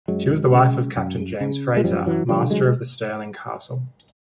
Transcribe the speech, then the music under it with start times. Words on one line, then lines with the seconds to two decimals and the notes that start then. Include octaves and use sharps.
She was the wife of Captain James Fraser, master of the "Stirling Castle".
0.08 F#2 F#3 G#3
0.53 C#3
0.96 F#2
1.41 C#3
1.77 G#3
1.84 F#2 F3 G3
2.06 E3 F#3
2.29 D3 F3 G3
2.50 F#3 G#3
2.65 G#3